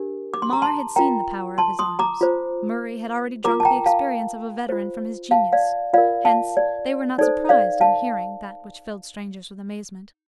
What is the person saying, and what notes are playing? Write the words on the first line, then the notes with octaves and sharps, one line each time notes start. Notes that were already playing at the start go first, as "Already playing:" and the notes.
Mar had seen the power of his arms; Murray had already drunk the experience of a veteran from his genius; hence they were not surprised on hearing that which filled strangers with amazement.
Already playing: D4 G4 A#4
D6
C6
A#5
A5 C6
F4 A#4 G5 A#5
A5 C6
C6 D#6
A#5 D6
F4 C5
F4 A#4 A#5 D6
A5
G5 A#5
F5 A5
F4 C5
F5 A5
D5 F5
F4 A#4 D5 F5
F5 A5
D5
D#4 A4 C5 D5
D5 F5
F5 A5